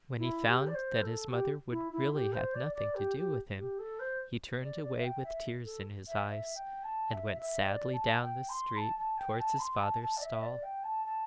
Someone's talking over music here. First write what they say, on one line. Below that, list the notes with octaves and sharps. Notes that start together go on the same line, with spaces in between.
When he found that his mother would really have nothing to do with him he turned away with tears in his eyes, and went sadly down the street towards his father's stall.
E4
G4
D5
C5
A4
G4
E4
E4
G4
C5
D5
D5
G4
G4
G4
A4
C5
D5
D5
E5
G5
E5
A4
E5
E5
G5
A5
E5
E5
D5
A5
G5
C6
A5
A5
G5
A5
C6
A5
A5
D5
E5
D5
G5
A5
A5